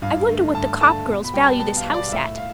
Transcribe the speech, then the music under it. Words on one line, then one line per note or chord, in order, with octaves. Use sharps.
I wonder what the Copp girls value this house at.
G2 F5
D3 A3
G2 A5
D3 A3 A5
B2
B5
G3 B3 G5
A5
B2 A5
F5
G3 B3
D5
F5
A2 E5
F5